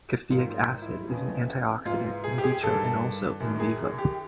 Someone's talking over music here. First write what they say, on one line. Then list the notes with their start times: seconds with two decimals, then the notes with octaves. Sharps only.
Caffeic acid is an antioxidant "in vitro" and also "in vivo".
0.30 G#2 D#3 F4
0.82 E4
1.08 F2 C#3 E3
1.85 G#2 F4
1.89 E3
2.24 G#4
2.38 G4
2.44 G#4
2.63 G2 D#3 A4
3.40 F#2 D#3
3.60 G#4
3.98 G4